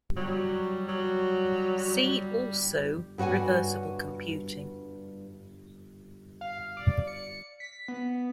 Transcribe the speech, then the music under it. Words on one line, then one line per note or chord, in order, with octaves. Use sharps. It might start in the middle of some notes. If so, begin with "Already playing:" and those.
See also reversible computing.
F#3 G3
F#3
G2 F#4 C#5 F#5 G#5
F5
D5
C#7
B6
B3